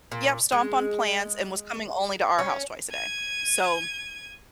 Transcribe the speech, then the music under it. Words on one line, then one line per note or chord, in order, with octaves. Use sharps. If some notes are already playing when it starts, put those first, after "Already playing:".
Yep, stomp on plants and was coming only to our house twice a day. So,
A#2
G#3
C#4
G#6 D#7